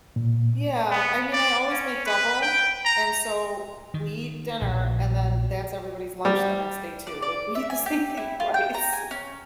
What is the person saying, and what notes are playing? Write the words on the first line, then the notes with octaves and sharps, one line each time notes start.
Yeah, I mean, I always make double, and, so, we eat dinner and, then, that's everybody's lunch the next day, too, like, we eat the same thing twice.
A#2
B3
D5
C#4
B4
G5
A#5
D#3
A#1
G3
D5
D5
E5
G#5
G4
E4
F4
G5
A#5
G#5
C#4